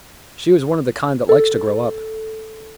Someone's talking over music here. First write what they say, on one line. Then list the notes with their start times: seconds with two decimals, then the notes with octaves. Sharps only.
She was one of the kind that likes to grow up.
1.29 A4